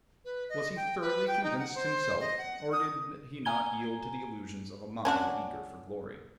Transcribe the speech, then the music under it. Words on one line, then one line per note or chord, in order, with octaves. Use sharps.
Was he thoroughly convinced himself, or did he not yield to the illusions of a mind eager for glory?
B4
D#5
G5
B4
G5
D#4
F#5
C5
D#5
F#5
D#6
G#5 A#5 G#6 G7
C#4 D4 F#4